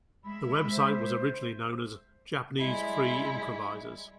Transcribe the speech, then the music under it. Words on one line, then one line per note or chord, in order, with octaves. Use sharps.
The website was originally known as "Japanese Free Improvisers".
G#3 E5 B5
C5
G3 G#3 E4